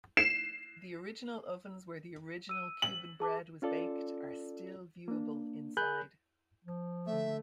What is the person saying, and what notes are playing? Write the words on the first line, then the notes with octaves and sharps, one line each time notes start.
The original ovens where the original Cuban bread was baked are still viewable inside.
C7 E7
E6 D#7
F#7
G#4 A5 D6
C#4 F4 A4 D5
A#3 D4
G#4 A#4 G#5 B5 F#6 G6
F3
D3 A3 E5